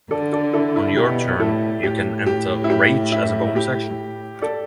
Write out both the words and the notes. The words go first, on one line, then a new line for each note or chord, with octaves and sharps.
On your turn, you can enter a rage as a bonus action.
D3 A4 D5
A4 D5
E4 A4
E4
B2 G4
A2 E4 A4
A2 G4
G4
E4
G4
E4
G4
A4 D5